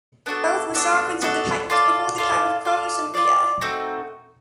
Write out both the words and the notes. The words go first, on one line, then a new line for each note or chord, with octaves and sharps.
Both were sovereigns of the Titans, before the time of Cronus and Rhea.
B3 D4 F#4 A4
B3 D4 F#4 A4
B3 D4 F#4 A4
F4 A4 D5 F5
F4 A4 D5 F5
F4 A4 D5 F5
F4 A4 D5 F5
A3 C4 D#4 F#4